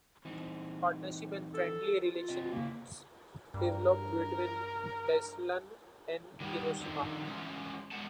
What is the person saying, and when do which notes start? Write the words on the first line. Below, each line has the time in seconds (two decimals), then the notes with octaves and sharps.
Partnership and friendly relations developed between Beslan and Hiroshima.
0.25 E3 C4 D#4
1.54 A4
2.05 F4
2.29 C4 B4 D#5
2.52 C#3 A#3 E4
3.54 G2 A#4
6.40 D#3 F#3 G3
6.80 F2 D3 D#3
7.25 E3 F#3 G#3 C#4
7.91 E2 B2 F#3 G#3 F#5 A5